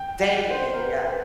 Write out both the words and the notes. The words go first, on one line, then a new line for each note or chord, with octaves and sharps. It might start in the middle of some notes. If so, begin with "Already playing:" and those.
Damien. Yep.
Already playing: G5
F#5
G5
F#5
C5
A#4
B4
C5
B4